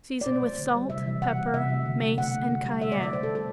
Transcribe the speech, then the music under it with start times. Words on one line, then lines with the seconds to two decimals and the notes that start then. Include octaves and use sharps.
Season with salt, pepper, mace and cayenne.
0.21 D5
0.26 B2 C5
0.43 F#3 A3
0.58 D3
0.75 G3
0.90 C3 E5
1.05 E3 G3
1.22 B2 F#5
1.38 G3
1.54 C3 E5
1.70 F#3 A3
1.86 D3
2.02 A3
2.18 B2 F#5
2.34 A3
2.50 D3
2.65 G3
2.81 B2 E5
2.92 D5
2.98 A3
3.03 D5
3.13 B2 C5
3.23 A4
3.29 G3
3.35 A4